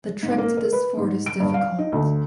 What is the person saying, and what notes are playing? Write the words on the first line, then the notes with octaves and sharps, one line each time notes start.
The trek to this fort is difficult.
G#2
A#3
A#4
B4
G#2
D7
G2
F5
D#4
D2